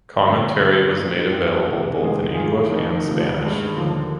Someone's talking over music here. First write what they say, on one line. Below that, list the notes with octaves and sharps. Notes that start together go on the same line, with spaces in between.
Commentary was made available both in English and Spanish.
G2 D3 F3 C4
D3 G3 D4
A#2 F3 A#3 D#4
F3 C4 G4 D5
C2 C3 D#3
C3 D#3 G#3 D#4 G#4
D#3 A#3 F4 G#4
F2 D#3 A#3 D#4
D2 C3 F3
G2 D#3 G#3
D#2 D3 F3 A#3